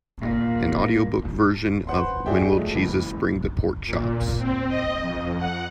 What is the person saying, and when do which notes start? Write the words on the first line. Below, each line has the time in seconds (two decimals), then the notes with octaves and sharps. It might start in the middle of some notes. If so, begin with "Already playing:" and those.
An audiobook version of When Will Jesus Bring the Pork Chops?
0.20 A#2
1.87 B4 C5 F#5 C6
2.26 D#4 F#4 G#4 D5 E5 G5
2.57 F3 G#3 A3
2.74 F#1 C#2 E3
3.86 A#2
4.38 C4
4.68 D#5
5.01 F2
5.37 F#5